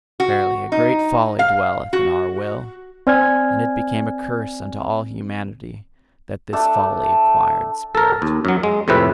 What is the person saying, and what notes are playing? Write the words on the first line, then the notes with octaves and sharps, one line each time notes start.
Verily, a great folly dwelleth in our Will; and it became a curse unto all humanity, that this folly acquired spirit!
F#4
D#4
F5
F#4
C4 D5 G#5 F6 G#6
A3 D4 A4
A4 A#4
D#2
F#2 F#3
G#3
F2 A2 C3 B4 E5